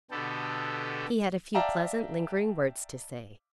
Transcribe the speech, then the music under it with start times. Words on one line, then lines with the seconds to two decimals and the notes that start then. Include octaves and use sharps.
He had a few pleasant, lingering words to say.
0.11 B2 D3 B3 G4 A4
1.55 D5 E5 F5 G5 A5 A#5